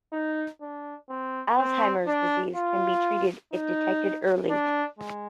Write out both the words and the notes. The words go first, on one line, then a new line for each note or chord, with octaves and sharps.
Alzheimer’s disease can be treated if detected early.
D#4
D4
C4
C4
D4
F4
D#4
D4
G#3